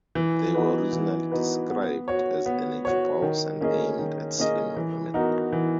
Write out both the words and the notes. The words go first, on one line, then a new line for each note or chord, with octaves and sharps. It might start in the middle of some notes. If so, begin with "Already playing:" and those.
They were originally described as "energy balls" and aimed at slimming women.
E3
B3 D#4 F#4 B4
E3
B3 D#4 F#4 B4
B3
F#4 C#5
B3
F#4 C#5
D#3
A#3 C#4 G#4 D#5
D#3
A#3 C#4 G#4 D#5
E3
B3 D#4 F#4 A#4
E3